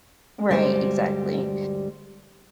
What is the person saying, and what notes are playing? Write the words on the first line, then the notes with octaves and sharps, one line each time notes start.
Right, exactly.
D2 G2 G3 G#3 C5